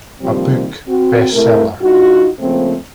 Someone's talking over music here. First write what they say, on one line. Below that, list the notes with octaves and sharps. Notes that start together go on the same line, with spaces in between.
A book, Bestseller!
C3 D#3 F3 G3 A#3 C4
C4 F#4
C3 A3 E4 A#4
G2 D#4 F4 F#4
C#3 F3 A3 A#3 C4